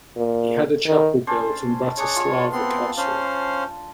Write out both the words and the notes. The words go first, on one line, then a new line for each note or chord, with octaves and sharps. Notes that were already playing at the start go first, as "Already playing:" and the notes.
He had a chapel built in Bratislava Castle.
A#2
D#3
C#4 D4 C5
G#3 D4 C#5
F4
B3 C4 C6
C#4 D4 C5 F5